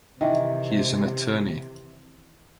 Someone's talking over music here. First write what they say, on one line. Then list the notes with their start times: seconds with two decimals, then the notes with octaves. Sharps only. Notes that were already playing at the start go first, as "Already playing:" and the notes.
He is an attorney.
0.21 C3 D#3 E3